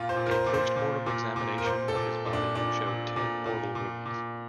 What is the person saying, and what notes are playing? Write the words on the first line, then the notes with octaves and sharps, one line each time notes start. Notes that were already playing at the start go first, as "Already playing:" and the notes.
A post-mortem examination of his body showed ten mortal wounds.
Already playing: A#2 F4
C5
A#2
A#4
C5
A#2
C5
A#2
A#2
A#2
A#4
A#2 C5
A4
A#2
A#2
D4
A#2 D4
A#2
A#2
A#2
A#2
A#2